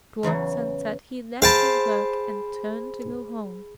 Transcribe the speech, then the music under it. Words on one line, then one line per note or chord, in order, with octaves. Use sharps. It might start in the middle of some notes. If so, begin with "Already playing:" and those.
Towards sunset he left his work and turned to go home.
E2 C#3 E3 F#3
G#4 C5 F5 G5 A5 B5